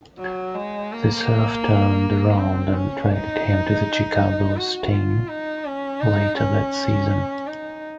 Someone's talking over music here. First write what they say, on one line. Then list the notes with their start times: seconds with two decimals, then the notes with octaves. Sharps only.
The Surf turned around and traded him to the Chicago Sting later that season.
0.19 F#3
0.55 G#3
0.92 A#3
2.38 C4
2.73 C#4
3.10 D#4
4.56 F#4
4.92 F4
5.28 D#4
5.65 C#4
6.01 D#4
6.37 C#4
7.47 D#4